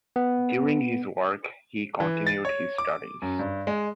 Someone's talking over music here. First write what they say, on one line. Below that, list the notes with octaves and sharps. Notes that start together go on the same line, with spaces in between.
During his work he continued his studies.
B3
E3
A6
C#5
D6
F#2
G2
G#3